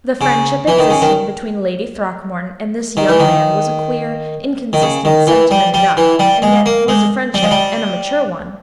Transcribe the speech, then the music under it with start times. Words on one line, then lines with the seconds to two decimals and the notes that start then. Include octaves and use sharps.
The friendship existing between Lady Throckmorton and this young man was a queer, inconsistent sentiment enough, and yet was a friendship, and a mature one.
0.21 C#3
0.68 E3
0.79 D#3
0.90 C#3
1.02 D#3
2.97 D#3
3.09 E3
3.20 D#3
4.73 D#3
4.82 C#3
5.05 D#3
5.27 E3
5.51 G3
5.74 G3
5.97 E3
6.19 G3
6.42 G#3
6.66 A#3
6.88 G#3
7.34 G3
7.43 G#3
7.51 G3